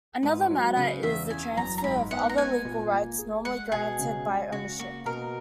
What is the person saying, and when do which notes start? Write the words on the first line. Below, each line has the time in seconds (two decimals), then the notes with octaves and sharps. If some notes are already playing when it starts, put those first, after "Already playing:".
Another matter is the transfer of other legal rights normally granted by ownership.
0.23 G#2 B4
0.50 F#3
0.77 C#3 B4
1.03 E2 E5
1.30 E3 G#5
1.57 F#2 A#5
1.78 A#5
1.84 G#2 B5
2.11 B3 F#5
2.29 A#5
2.37 G#3 G#5
2.65 A#2
2.91 A#3
3.18 G#4
3.45 G#3 F#5
3.72 B2 G#4
3.99 C#3
4.25 G#3
4.52 C#3 F#4
4.79 A#3 F#4
5.05 B2 A#4